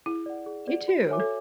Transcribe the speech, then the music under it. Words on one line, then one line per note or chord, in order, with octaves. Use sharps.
You, too.
E4 G#4
D5 F#5
G#4
D5 F#5
F#4
C#5 E5 G#5 D6
A4